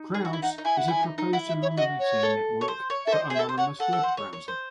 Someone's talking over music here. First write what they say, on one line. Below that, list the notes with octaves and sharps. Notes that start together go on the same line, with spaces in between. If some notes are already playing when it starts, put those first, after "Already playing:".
Crowds is a proposed anonymity network for anonymous web browsing.
Already playing: D#4
G#4
F#4
E4
D#4 F#5
D#4
E4 G#5
F#5
E4 G#5
D#4
D#4
E4 F#5
E5
C#5
F#4 D#5
C#5
A4
C#5
C5
C#5
A4 E5
C5 D#5
G#4
E5
A4
C5
C#5 F#5
A4 F#5
A4
C5
C#5
C#5
C5